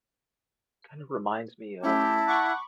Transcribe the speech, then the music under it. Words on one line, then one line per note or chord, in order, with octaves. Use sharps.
It kind of reminds me of
A3 C#4 E4 G4 A5
F#5 B5 C#6 D6